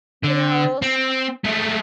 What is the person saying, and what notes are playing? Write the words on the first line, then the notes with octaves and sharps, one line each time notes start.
you know?
D3
C4
G#3 A3